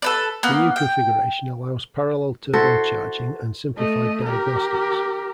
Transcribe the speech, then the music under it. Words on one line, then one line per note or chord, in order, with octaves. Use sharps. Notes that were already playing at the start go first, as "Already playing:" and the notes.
The new configuration allows parallel turbo charging and simplified diagnostics.
A4 B4 D5
A#3 B3
G5
E4 F#4 A4 C5
A3 D#5
G4 A#4